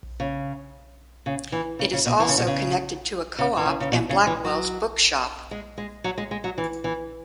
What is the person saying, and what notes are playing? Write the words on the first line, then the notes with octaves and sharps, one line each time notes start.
It is also connected to a Co-Op and Blackwells bookshop.
C#3
C#3
E3
C#3
C#3
B2
E3
C#3
B2
C#3
C#3
E3
C#3
C#3
B2
C#3
E3
F#3
G#3
G#3
F#3
G#3
G#3
F#3
E3
E3